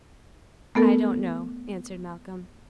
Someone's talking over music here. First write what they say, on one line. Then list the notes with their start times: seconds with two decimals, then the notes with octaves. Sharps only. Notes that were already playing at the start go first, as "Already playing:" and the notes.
"I don't know," answered Malcolm.
0.75 A3 B3 A4 A#4